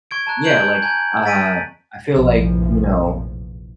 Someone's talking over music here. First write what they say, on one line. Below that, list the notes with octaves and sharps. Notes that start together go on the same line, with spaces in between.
Yeah, like uh, I feel like, you know
C#6 G#6 D7
A5 A#5 F#6
G#5 C#6 G6 D7 F#7
G#5 A#5 G6 G#6
G#5 A6 B6 D7 D#7
F1 A#1 E2 A2 E3 F3